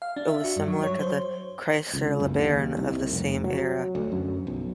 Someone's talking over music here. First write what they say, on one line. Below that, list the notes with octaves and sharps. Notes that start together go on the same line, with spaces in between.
It was similar to the Chrysler LeBaron of the same era.
F5
D4
E5
F#4
G2
F#3
C#5
C5
C#2
F#1
D#2
C2
F1
F#3
D2
F#2
B1